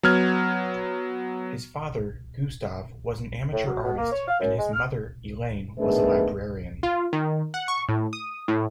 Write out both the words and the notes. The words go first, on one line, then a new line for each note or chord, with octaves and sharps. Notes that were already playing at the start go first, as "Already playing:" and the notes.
His father, Gustave, was an amateur artist and his mother, Elaine, was a librarian.
F#3 B3 F6 G#6
A2
F#3
B2
A#3
C#5
F5
F#2
G#3
F6
D#3 A3 B3 D4 G#4 B4
F4
D#3
F#5
C#6
A2
D#6
A2